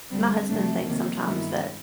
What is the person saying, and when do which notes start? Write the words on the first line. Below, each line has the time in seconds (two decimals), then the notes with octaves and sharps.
my husband thinks sometimes that
0.11 D2 D3 G3 C4
0.49 F2 C3 F3 A3 D4
0.87 F2 C3 D#3 F#3 A#3
1.25 G2 D#3 G#3 B3 E4